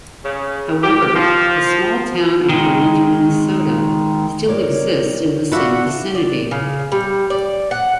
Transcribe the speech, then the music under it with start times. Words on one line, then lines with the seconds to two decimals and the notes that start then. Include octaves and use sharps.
However, the small town of Grant, Minnesota, still exists in the same vicinity.
0.23 C#3
0.83 G4
1.14 F3
2.49 D#3 G#3
4.48 A#4 C#5 D5
5.52 D4 F4 F#4 E5 F#5 B5
6.15 D5
6.51 C#3
6.92 G3
7.30 D5
7.71 F#5